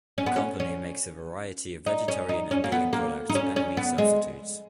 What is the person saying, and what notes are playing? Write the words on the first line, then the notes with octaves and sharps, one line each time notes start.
The company makes a variety of vegetarian and vegan products and meat substitutes.
C#4
B3
C#4
C#4
D#4
C#4
D#4
C#4
A#3
B3
A#3
D#4
C#4
C#4
B3
G#3